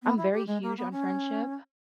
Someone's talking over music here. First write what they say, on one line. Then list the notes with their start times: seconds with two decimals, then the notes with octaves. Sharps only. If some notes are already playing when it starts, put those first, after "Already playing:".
I'm very huge on friendship,
0.03 B3
0.17 E4
0.32 G4
0.47 G#3
0.63 A#3
0.78 B3
0.92 C#4